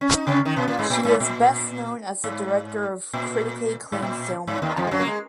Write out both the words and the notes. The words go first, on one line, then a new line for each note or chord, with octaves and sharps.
She is best known as the director of critically acclaimed film "Adam".
C#4
D#4
C#3 C#4
D#3 D#4
B2 B3
A#2 A#3
G#2 G#3
A#2
G#2
A#2
G#2
A#2
G#2
A#2
G#2
D#2 D#3
F2 F3
G#3
F#2 F#3
A#3
G#3